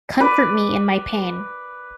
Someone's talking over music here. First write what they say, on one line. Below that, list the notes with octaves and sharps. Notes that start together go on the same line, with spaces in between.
Comfort me in my pain.
B4 D5